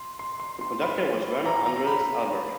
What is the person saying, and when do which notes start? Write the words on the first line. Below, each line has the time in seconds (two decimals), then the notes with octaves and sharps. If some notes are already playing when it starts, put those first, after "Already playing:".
The conductor was Werner Andreas Albert.
Already playing: C6
0.19 C6
0.40 C6
0.61 C6
0.82 B5
1.46 A#5
1.66 A#5
1.87 B5